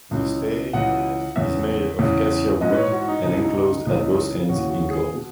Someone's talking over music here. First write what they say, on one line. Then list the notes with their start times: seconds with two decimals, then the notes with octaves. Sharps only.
The staff is made of cassia wood and enclosed at both ends in gold.
0.11 C#2 C#3 E3
0.73 C#2 C#3 E3 F#5
1.36 E2 C#3 E3 E5
1.99 E2 C#3 E3
2.61 G#2 E3 D#5
2.72 B4
2.77 C#5
2.92 F#4
3.08 D#4
3.24 C#2 B2 D#4
3.33 E4
3.42 D#4
3.86 C#2 C#3 E3
4.49 D#2 C#3 E3 F#4
4.70 F#4
4.91 G#4
5.15 B2